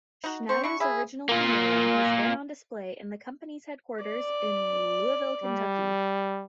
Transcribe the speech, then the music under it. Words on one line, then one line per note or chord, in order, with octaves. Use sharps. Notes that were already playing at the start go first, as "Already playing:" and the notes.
Schnatter's original Camaro has been on display in the company's headquarters in Louisville, Kentucky.
D#4 F#4
C4 C5 C#6
D4 E4 F#4 C#6
F3 G#4 E5 B5
A#3 F4
D5
G3